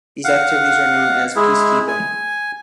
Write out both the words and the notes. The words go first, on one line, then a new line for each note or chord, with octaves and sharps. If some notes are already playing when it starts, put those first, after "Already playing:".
These activities are known as "peace keeping".
F5 F#5
G#3 E4 G#4
G#5